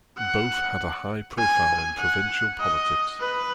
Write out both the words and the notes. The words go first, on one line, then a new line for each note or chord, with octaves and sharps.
Both had a high profile in provincial politics.
F#5
G#5
F#5
D#5
B4